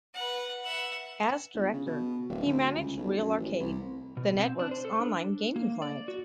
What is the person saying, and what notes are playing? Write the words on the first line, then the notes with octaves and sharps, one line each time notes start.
As director, he managed RealArcade, the network's online gaming client.
B4 F#5
E5 F#5
G1
C#3
B2
D1
D2
C#2
B1
F#2
A1
C2
B2
C4
D4
C5
A4
D4
A#3
D5
F#4